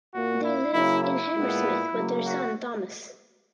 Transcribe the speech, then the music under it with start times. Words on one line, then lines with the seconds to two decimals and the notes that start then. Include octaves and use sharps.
They live in Hammersmith with their son Thomas.
0.13 A#2 A#3 F#4
0.44 E4
0.73 C#3 F#3 A#3 E4
1.03 E4
1.34 A#2 G#3 B3
1.94 C#3 F#3 A#3
2.25 F#4